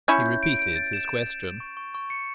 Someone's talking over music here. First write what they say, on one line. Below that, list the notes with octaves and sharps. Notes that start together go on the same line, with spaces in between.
He repeated his question.
C#4 E4 G6
G6
D7
D7
A6
E7
E7
A6
G6
C#6
C#6
C#6
C#7